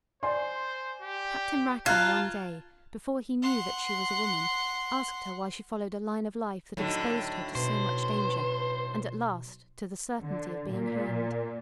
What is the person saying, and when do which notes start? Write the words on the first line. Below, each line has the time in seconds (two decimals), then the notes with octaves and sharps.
Captain Rackam one day, before he knew that she was a woman, asked her why she followed a line of life that exposed her to so much danger, and at last to the certainty of being hanged.
0.23 C5 D5 G#5 C6
1.02 G4
1.86 F4 A5 A#5 F#6 G#6
3.43 F#5 C6
6.77 A2 D3 F#3 D#4
7.55 B2 B4 C5
10.18 D3
10.70 A#2